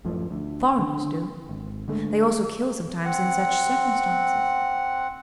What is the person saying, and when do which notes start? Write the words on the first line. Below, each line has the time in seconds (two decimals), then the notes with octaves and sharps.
Foreigners do; they also kill sometimes in such circumstances.
0.05 A1 F#2 A2 F3
0.31 D2
0.79 D3
1.49 G#1
1.88 D3 G#3 A3
3.04 C4 F#5